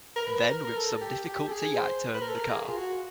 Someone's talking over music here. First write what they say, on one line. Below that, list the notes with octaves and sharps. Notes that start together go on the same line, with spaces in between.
Then with some difficulty I turned the car.
A#4
B4
A#4
A#4
A4
G4
G4
A4
G#4
C5
B4
A#4
A4
A#4
G#4
F4
F#4